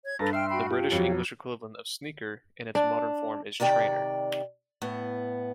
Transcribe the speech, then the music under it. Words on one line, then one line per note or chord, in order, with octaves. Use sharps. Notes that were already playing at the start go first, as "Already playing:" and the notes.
The British English equivalent of "sneaker" in its modern form is "trainer".
C#5 G#6
G2 A4 B4 A5 A#5
E5 G5 C6 F6
F#4 G5 B5
F4 G4 G5
F2 F#3 C#5
D4
C3 D#3 D5 G5
A2 B3